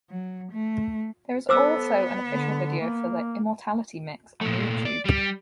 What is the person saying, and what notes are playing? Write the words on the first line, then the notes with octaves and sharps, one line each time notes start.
There is also an official video for the "Immortality Mix" on YouTube.
F#3
A3
B3 A4 C5 D6 E6
D3
A#3
A#2 A3
D5
G3